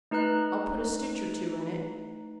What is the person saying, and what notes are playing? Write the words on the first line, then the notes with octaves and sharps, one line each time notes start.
I'll put a stitch or two in it.
A3 D#4 B4 A#5 F#6